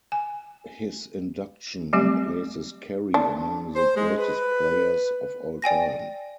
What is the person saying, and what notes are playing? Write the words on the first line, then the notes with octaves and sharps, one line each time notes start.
His induction places Carey among the greatest players of all time.
G#5
F#3 G3 A3 C4 G4
D4
C5
G#3
B4
D5 G5 G#5 A#6